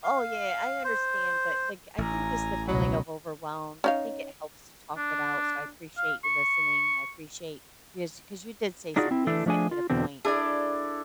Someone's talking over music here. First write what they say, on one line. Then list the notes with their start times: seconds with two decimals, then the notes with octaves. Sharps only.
oh, yeah, I understand, but like, I think just the feeling of overwhelmed, I think it helps to talk it out, so, I appreciate you listening. I appreciate because 'cause you did say some things that hit a point
0.04 F5
0.84 C5
1.98 A1 G#5 A#5
2.68 C#2 B2 F#3 D#5 B5
3.84 C#4 D#4 F5
4.97 D4
5.97 F5
6.24 C#6
8.96 D4 D#4 F4 F#4 G#4 D5
9.11 C4 E4
9.27 E3 A3 D4 E4 A4
9.46 F3 A3 D4 G#4 G#5
9.71 F4
9.90 E2 B2 D3 C4
10.25 D4 E4 G#4 A4 D5